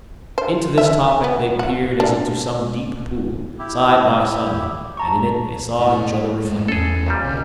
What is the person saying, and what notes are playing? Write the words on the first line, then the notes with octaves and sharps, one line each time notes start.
Into this topic they peered as into some deep pool, side by side, and in it they saw each other reflected.
C5
E5
B3
F#4
D4
E4 G4
A5 A#5 C#6
A2
G#2 A3
E2 C#4 G#4 A4
D#2 A#2 G3
B1 C#3